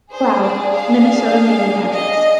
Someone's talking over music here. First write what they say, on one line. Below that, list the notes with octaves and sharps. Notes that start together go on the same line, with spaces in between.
Cloud, Minnesota mailing address.
D4 G#4 C5
D5
F5
D#5